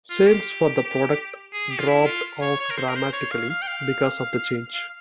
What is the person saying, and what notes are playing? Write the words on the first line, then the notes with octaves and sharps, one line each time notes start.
Sales for the product dropped off dramatically because of the change.
F4
G4
G#4
G4
F4
E4
F4
C#5
C#5
A#4
C5
A#4
C5
C#5
F5
F5
G5
F5
F5